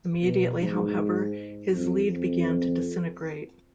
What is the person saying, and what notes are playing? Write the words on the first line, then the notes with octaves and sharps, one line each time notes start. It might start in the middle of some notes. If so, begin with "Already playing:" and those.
Immediately, however, his lead began to disintegrate.
B2
G#2
F2
F2